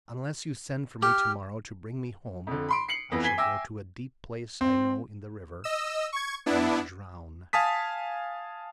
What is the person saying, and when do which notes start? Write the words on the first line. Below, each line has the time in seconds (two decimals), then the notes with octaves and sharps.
Unless you send for me to-morrow to bring me home I shall go to a deep place I know in the river and drown.
1.03 G4 F6
2.47 F2 D3
2.69 B5 C6 D7
2.88 C7 C#7 F#7
3.12 F2 E3 B3 A#6
3.23 G#5 G#6 B6 C7 G7
3.38 E5 G5 G#5 D6 E6 A#6
4.61 C4
5.64 D#5 E6
6.12 C#6 G#6
6.46 B3 D4 E4
7.53 F5 G#5 A5 D#6 B6